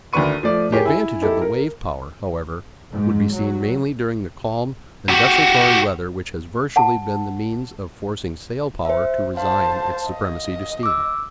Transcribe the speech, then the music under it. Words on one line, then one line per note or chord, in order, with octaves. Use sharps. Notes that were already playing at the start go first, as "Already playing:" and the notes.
The advantage of the wave-power, however, would be seen mainly during the calm and desultory weather which has virtually been the means of forcing sail-power to resign its supremacy to steam.
D2 D#3 D4 B4 C#6 D#7
F3 A3 D5
G4 G#4 A#4 C#5
E4 G#5
D#4 E4 G4 A4
A#4
G#2
F#3
F#4 G4
F#5 A5
C5 E5
C5 F5 A5
D#5
D6 E6